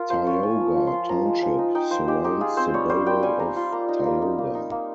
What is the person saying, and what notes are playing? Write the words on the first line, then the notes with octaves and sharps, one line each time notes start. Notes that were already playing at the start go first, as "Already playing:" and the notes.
Tioga Township surrounds the borough of Tioga.
Already playing: F4 A#4
F3 C5
F4 C#5
F4 G#5
F3
F3
C6
F4
F3 A#5
G#3
F3 G#5
D#4
D#4 G5
F3 C5
G#3 G4
D#4 G4
F4 G#4
C4 C5
G3 C#5
G3 C5
G3 G5
G3 G#5
G3 A#5
F4 C6
A#3 A#5
D#4
A#3
D#4
A#3
D#4
A#3